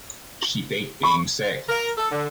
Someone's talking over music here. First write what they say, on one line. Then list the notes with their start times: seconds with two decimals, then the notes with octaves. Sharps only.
She faked being sick.
1.03 B5 C#6
1.69 A#4
1.97 A4
2.10 D3